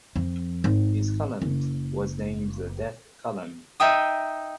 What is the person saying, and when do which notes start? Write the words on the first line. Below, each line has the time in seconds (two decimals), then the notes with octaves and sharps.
His column was named the "Death Column".
0.16 F2
0.64 G#1
1.42 F#1
3.80 D#4 E5 G5 D#6